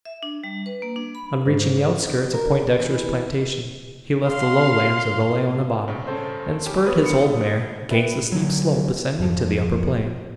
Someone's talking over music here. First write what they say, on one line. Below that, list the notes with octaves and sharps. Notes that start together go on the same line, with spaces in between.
On reaching the outskirts of Poindexter's plantation, he left the low lands of the Leona bottom, and spurred his old mare 'gainst the steep slope ascending to the upper plain.
E5
D4
G3
B4
A#3
D4
B5
G#2
D#4
A#4
D4
E3
F5 C6
G2 C#3
C#4 A4 C5
C#3 C#4 G4
G3 B3 B4 C#5 D#6
D3 D#6 C#7
B4 D5 E5 G5
D3 F#3
G#1 F2 F3